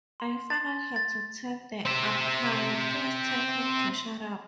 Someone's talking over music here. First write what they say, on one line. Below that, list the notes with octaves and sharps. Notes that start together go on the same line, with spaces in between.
I finally had to tell the umpire: 'Please tell him to shut up.
C6
A6
A6
C4 E5